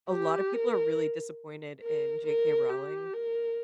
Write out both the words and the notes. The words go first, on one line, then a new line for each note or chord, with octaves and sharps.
a lotta people are really disappointed in J.K. Rowling,
G4
A#4
A#4
A#4
G4
A#4